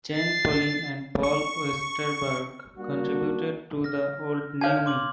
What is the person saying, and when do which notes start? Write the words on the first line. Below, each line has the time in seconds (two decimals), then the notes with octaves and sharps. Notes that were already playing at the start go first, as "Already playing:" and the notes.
Chan Poling and Paul Westerberg contributed to "The Old New Me".
0.13 A6 C7
1.23 C#6
2.77 G3 A#3 D4 F#4
3.84 F6 A#6
4.61 C#5 F5 A5 F6 G6 G#6
4.86 C6 D6 F#7